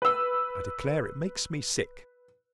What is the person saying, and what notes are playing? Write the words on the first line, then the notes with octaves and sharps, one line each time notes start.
I declare it makes me sick.
B4 E6